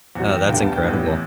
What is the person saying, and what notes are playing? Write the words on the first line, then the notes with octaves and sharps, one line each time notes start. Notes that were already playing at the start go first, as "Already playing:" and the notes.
Oh, that's incredible.
E2 C3 F#3 F#5
G5
D2 D3 G3 B3 G5
A5
G5
A1 A2 E3 G3 B3